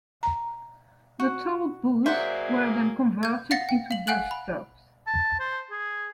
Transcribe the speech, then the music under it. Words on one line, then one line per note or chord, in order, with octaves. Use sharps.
The toll booths were then converted into bus stops.
A#5
F#4
F#3 A#3 G#4 C5 D5 E5 F#5
G6 G#6
F5 F#5 A6 A#6 C#7
G5
F5 F#7
F5 F#5 G#5 F#6 F#7
B5
A5
C5
G#4